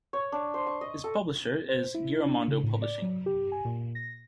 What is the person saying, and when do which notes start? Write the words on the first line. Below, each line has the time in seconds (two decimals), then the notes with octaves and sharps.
His publisher is Giramondo Publishing.
0.13 C#5
0.32 D4
0.54 C5
0.67 C#6
0.81 D#5
1.04 A4
1.69 C5
1.94 E4
2.26 D4
2.48 C#3
2.64 A2
2.82 D5
3.02 F#3
3.26 G4
3.52 G#5
3.65 A#2
3.95 A#6